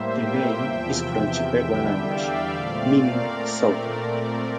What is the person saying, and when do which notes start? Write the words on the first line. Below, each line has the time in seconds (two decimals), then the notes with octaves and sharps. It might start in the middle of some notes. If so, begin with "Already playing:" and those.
The name is from the Chippewa language, meaning "southern".
Already playing: A2 G3 A#3 C5 E5
0.11 E5 G5
0.59 E2 C3 F3
1.56 E2 D3 G3
2.04 D5 F5
2.52 A#2 A3 C4
3.00 A#4 D5
3.48 A#2 A3 C4